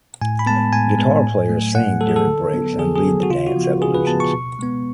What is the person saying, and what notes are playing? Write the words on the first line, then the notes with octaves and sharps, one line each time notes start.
Guitar players sing during breaks and lead the dance evolutions.
A2 G#5
B5
G#3 B3 A5
A2 G#5
G#3 B3
A2
F#3 A3
A2 F#5
F#3 A3 A4
G#4
A4
D3
F#3 B3
D3 G#4
G#4
F#3 B3
F#4
C#3 F4
F#4
F3 B3
F#4
C#3 G#4
B4
F3 B3 A5
C#6
B2
G#3 B3